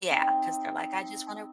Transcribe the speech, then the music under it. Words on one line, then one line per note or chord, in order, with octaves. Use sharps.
Yeah, 'cause they're like, "I just wanna
C4 D#4